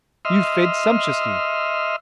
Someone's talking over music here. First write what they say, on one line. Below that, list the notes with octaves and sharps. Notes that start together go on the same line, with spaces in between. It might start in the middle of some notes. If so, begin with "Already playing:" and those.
You fed sumptuously.
D#5 E5 C6 F6